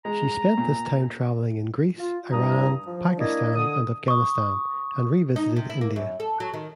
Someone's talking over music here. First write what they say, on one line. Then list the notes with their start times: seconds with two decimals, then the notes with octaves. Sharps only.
She spent this time travelling in Greece, Iran, Pakistan, and Afghanistan and revisited India.
0.05 G#3 A#5
0.58 A#2
1.97 F4
2.32 G2 G3 E4 A#5 D#6
2.86 F3
3.18 A#3 D4 E4 D5 D#5
3.55 D3 D#6
4.08 C#6 D#6
5.36 D#4
5.56 C3
5.70 E4
5.81 A#3
5.96 F#2
6.20 A4
6.40 F#3
6.54 D#3